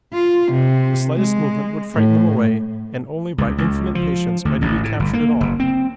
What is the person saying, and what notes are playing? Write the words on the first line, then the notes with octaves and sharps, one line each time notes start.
The slightest movement would frighten him away and only by infinite patience might he be captured at all.
F4
C3
G#3
A2
C#2
C#2
F3
D2
A1
A2
G1
A#3
F#1
C4